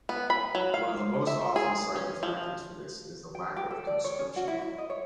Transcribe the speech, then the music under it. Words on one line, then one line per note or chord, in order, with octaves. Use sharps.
One of the most often cited factors for this is the lack of conscription.
B3
B5
F#3
F5
E5
G#4
C#4
F3
G5
G4
A4
D5
C#5
C#4
F#4
E4
E4
D#5
C#5